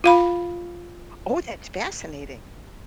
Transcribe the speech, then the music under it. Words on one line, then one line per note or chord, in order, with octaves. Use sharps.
Oh, that's fascinating.
F4 F5 B5